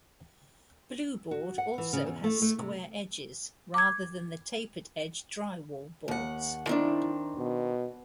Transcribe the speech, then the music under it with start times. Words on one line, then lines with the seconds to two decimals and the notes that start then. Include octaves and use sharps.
Blueboard also has square edges rather than the tapered-edge drywall boards.
1.31 F#4
1.58 F#5
1.78 E3
1.93 C#3
2.07 E2
2.24 A3
2.42 A3
2.58 C3
3.74 D6 G#6
6.08 D#2 F#5
6.67 D#3 C4 D4 E4
7.37 B2